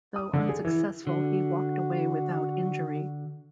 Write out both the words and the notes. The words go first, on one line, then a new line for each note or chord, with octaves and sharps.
Though unsuccessful, he walked away without injury.
D#6
D3
G#4
E3
D3 F#4